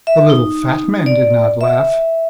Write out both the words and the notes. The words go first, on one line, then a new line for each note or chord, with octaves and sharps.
The little fat man did not laugh.
E5
D#4
D5
E5